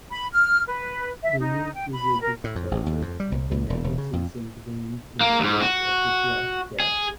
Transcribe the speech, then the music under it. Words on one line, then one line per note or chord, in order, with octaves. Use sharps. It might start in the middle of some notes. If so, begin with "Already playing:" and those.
Renewed religious fervour and fanaticism bloomed in the wake of the Black Death.
B5
F6
B4
E5
D#4
G5
B5
A#4
A2
F2
A1
D#2
F2
G3
C2
C#2
E1
E1
C#3
F2
A#3
D#2 G#2
F#4
G#4